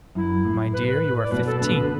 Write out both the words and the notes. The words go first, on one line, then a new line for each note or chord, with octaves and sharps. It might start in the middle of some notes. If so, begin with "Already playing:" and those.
"My dear, you are fifteen."
F#2 E4
A2
B4
B4
B4
D5
B2 B4
A4
D3 B4
B2
D3 B4